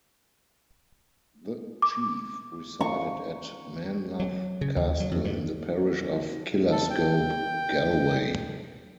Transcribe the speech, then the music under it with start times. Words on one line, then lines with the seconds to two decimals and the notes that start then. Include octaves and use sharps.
The chief resided at Menlough Castle, in the parish of Killascobe, Galway.
1.82 D6
2.81 C#6
4.20 F#3
4.61 C#3
4.76 D#2
5.00 F#3
5.11 F2
5.25 G2
6.71 A4
6.90 G5